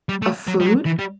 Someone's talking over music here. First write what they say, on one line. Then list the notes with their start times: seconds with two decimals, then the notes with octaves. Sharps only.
a food,
0.09 G3
0.22 A3
0.48 F#3
0.60 G3
0.67 F#3
0.86 E3
0.99 G3